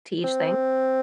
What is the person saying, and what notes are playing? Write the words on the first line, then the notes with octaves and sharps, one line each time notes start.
to each thing?
C4